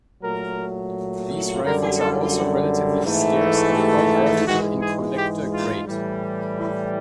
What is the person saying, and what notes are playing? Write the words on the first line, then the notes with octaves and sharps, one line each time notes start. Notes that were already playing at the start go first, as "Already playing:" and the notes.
These rifles are also relatively scarce, and quite valuable in collector grade.
A#2 F#3 A3 A#4
F#2 D3 G3 A#4
A4
G#2 E3 A3
G4
G#2 E3 G#3 F#4
G#4
G4
F4
A2 E3 G3
E4